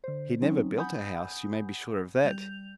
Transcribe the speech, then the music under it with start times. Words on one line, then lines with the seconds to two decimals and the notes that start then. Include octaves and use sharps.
He never built a house, you may be sure of that.
0.04 D3 C5
0.42 F#3 C4 C#4 D#4
0.77 F#5 G#5 B5 D#6 G6
2.25 G3 G6 F7